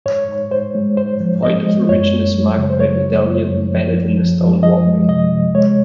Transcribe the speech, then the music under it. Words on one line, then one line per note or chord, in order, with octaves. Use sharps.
The point of origin is marked by a medallion embedded in the stone walkway.
G#2 C#5
G#2
G#2 C5
G#3
G#2 C5
F3
G#2 D#5
G#3
F#2 C#5
F#2
F#3
C#3
C5
F#3 C#5
F#3
F#2
F#2
F3
F3
F3
F3
F3 D#5
G#3
C3 D#5
C3
G#3 C#5